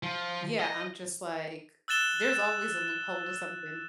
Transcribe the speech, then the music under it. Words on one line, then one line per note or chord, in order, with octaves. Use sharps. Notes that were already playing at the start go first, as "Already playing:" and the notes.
Yeah, I'm just like, there's always a loophole to something.
F3
D#5
E6 F#6 A6 E7 G7